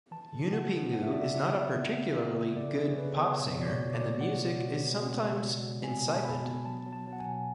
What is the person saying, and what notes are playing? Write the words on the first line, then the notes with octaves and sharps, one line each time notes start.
Yunupingu is not a particularly good pop singer, and the music is sometimes insipid.
E3 A5
C#3
E3 F#5
E3
E3 F#5
E5
C#3 D5
E5
C#3
B3
B3
B3
B3
C#3
C#3 D5
A4
C#3 G#4
C#5
C#3 B4
B3 B4
B2 C#5
B2 D5
C#5
B2
D5
G#3
B2 F#5
B2
B2
B2
G#3
G#3
B2
G#3
B2 G#5
B3
A5
B2 B5
B3
F#3 A5
F#3
A5
F#3
F#5
G#5
B2